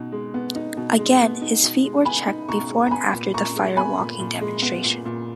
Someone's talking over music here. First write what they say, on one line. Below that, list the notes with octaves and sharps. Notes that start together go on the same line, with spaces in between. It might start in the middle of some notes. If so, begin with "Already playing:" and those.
Again, his feet were checked before and after the fire walking demonstration.
Already playing: B2 D#4
G#3
B3
D#4
B2
G#3
B3
D#4
B2
G#3
B3 G#5 B5
D#4
B2 A#5 C#6
G#3
A#5
B3 G#5 B5
A#2
A#2 A#5 C#6
G#3
B3 G#5 B5
A#2
A#2
G#3
B3
A#2
A#2